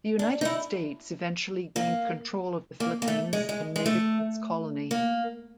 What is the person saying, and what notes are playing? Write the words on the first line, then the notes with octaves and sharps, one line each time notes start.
The United States eventually gained control of the Philippines and made it its colony.
D4
D#4
E4
A#3
A#3
A#3
A3
G#3
G#3
G#3
A3
A#3